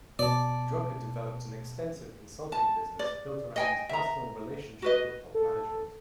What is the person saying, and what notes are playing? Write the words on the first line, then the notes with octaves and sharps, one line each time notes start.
Drucker developed an extensive consulting business built around his personal relationship with top management.
B2 D5 A5
A5
D5
D#5 G5 G#5
E5 A#5
F#4 B4 D#5
A4